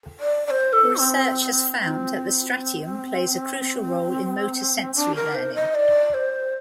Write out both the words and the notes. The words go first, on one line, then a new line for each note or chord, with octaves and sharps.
Research has found that the stratium plays a crucial role in motor sensory learning.
D5
D5
C5
A4
C4
C4
D4
A#4
C5
D#5
D5
C5